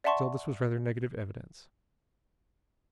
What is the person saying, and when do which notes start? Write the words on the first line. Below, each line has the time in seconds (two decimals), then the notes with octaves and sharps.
Still this was rather negative evidence.
0.04 D5 E5 F#5 A5 C6 C#6